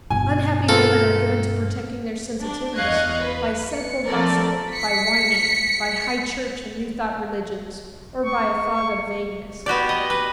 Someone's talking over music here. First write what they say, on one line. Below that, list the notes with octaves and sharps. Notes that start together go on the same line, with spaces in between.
Unhappy women are given to protecting their sensitiveness by cynical gossip, by whining, by high-church and new-thought religions, or by a fog of vagueness.
G2 B2 B3 G#5
A#3 C4 F4 A4
D4
E2 D#5 F5 C#6 F#6 G#6
B4
C#7
F3 A3 C4 A4 A#4 D5
B6 C#7
C#6
B3 F#4 G4 D5
D#5
B4